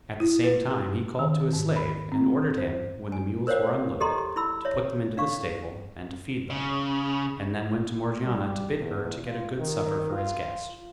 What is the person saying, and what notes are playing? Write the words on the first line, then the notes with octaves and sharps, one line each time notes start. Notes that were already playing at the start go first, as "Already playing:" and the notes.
At the same time he called to a slave, and ordered him, when the mules were unloaded, to put them into the stable, and to feed them; and then went to Morgiana to bid her to get a good supper for his guest.
E4
B4
G4
D#3
G#2
B5
C4
C5
G#5
A#4 C5 C#5 F5 G5
G4 A4 D#5 A#5 C6
E4 B5 E6
C#5 E5
D4 F5 C#6
C#3
G3
E2
F4
D#3
F4